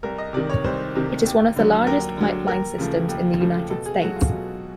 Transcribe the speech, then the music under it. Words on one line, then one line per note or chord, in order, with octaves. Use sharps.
It is one of the largest pipeline systems in the United States.
C2 A#4
D#5
C3 D#3 D5
C#5
C2 C5
C3 D#3
D#2
D3 F#3
D#2 A#4
D3 F#3
D#2 A#4
C#3 F3 A3
D#2
C#3 F3 A3
B2 A4
G#4
F#3 A3 F#4
F4
B2